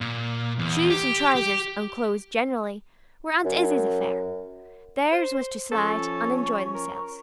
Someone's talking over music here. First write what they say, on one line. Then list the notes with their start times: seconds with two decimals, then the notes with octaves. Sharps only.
Shoes and trousers, and clothes generally, were Aunt Izzie's affair; theirs was to slide and enjoy themselves.
0.01 A#2
0.59 E2
0.90 G4
1.35 G4
3.45 F#2
5.12 C5
5.72 F3 C#4 A4 C#5 C#6
6.75 A#4